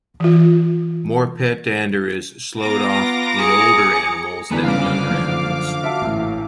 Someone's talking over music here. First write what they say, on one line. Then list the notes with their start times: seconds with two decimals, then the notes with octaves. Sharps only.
More pet dander is sloughed off in older animals than in younger animals.
0.20 E3 F4
2.59 B3 F4 A#5 D6 A#6
3.40 G#4 C#7
4.51 E2 D3 D4 B4
4.64 F#1 G2 C#3 F5 D6
5.11 F#1 F3
5.82 F#4 E5 A5
6.01 A1 A2